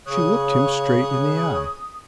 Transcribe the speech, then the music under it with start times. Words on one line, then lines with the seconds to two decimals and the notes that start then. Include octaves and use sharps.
She looked him straight in the eye.
0.06 C#3 C#5 D#6 F#6